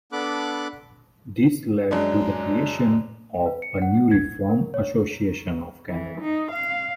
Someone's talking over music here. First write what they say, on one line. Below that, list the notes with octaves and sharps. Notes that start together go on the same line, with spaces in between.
This led to the creation of a new "Reform Association of Canada".
B3 D4 A4 B5 D6 F#6
F#2 G#3 D4
B4
C#7
F#5
G#6
A#4
C#5
E3
D#4
F5